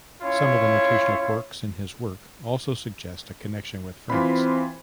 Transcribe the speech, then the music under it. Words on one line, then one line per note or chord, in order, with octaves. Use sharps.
Some of the notational quirks in his work also suggest a connection with France.
C#4 E4 F4 C#5
E3 C4 F4 B5